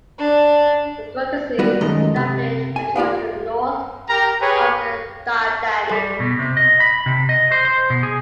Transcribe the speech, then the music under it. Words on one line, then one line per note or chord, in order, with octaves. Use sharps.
The Scordisci established control to the north of the Dardani.
D4
G3 B3 F#4 B4
F#2 D#3 G#3 A3 D#5 A#5
C3
G#5
F4 G4 D5 F5
G4 A#4 A#5
G4 G#4 B4 C#5
G3
B2
C3
D#5
B5
C3
D#5
C5
C5
B2
G#4